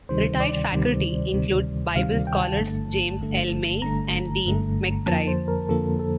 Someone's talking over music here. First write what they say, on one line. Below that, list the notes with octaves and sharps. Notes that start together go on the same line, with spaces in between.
Retired faculty include Bible scholars James L. Mays and Dean McBride.
D2 C3 D#3 G3 C5
D5
D2 C3 D#3 G3
D2 C3 D#3 G3
D2 C3 D#3 G3 F5
G5
A5
G1 G2 D3 A3
G1 G2 D3 A3
G1 G2 D3 A3 A#5
G1 G2 D3 A3
F2 D3 F3 A#3 A5
C5
A#4
F2 D3 F3 A#3 A4
A4